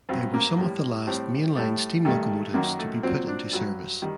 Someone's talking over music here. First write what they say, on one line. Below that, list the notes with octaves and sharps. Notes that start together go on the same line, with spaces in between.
They were some of the last mainline steam locomotives to be put into service.
G2 F#3 C4
A#3
A2 G3
A2 G3 C4
A2 G3 A3
G2 D#3 G3 A3
F#2 D#3 F#3 A#3
A3
A#2 F#3 C4
D4
G2 F#3
D#3 G3